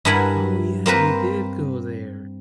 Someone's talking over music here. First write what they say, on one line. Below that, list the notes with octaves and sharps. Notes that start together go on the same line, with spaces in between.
"Oh yeah, we did go there."
G2 E4 A#4 F#5 G#5 B5
A#3 C4 A#4 B4